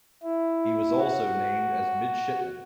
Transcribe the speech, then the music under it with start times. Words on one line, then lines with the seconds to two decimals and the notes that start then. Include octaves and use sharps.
He was also named as Midshipman.
0.23 E4
0.97 F#4